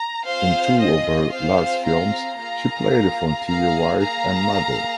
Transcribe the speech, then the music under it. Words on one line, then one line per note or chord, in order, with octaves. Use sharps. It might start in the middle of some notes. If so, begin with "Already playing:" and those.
In two of her last films she played a frontier wife and mother.
Already playing: A#5
C4 F4 G#4 C5 F5
D#5
C4 F4 G#4 C5 F5
F5 A#5
A#3 F4 G#4 F5 A#5
A#3 G#4 F5 A#5
F5 A#5
A#3 G#4